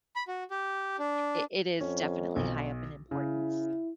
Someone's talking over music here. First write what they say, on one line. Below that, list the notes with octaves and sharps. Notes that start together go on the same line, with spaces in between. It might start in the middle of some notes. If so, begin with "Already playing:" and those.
it it is definitely high up in importance.
B5
F#4
G4
D4
F2 C#4
B1
C#3 E4